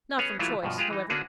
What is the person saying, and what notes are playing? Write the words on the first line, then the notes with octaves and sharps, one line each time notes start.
Not from choice, however.
B3 C#4 G#4 C#5
E3 F#3 G#3 A3 E4 F4
G2 B2 F3
G#3 F4 G4 G#4
E3 D#4
D3 A#3 C#4 D4 F#4 G#4